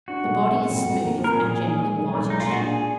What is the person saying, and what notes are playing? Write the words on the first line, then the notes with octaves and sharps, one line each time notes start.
The body is smooth, and generally whitish.
D4 F#4
B1
G#3
A#2
F2
F2
A#3
F3
A#4
A#2 G#4
A#2
D#4
G#3
B1
B1
G#3 D#4
A#2 F4
F#4
D4 G#4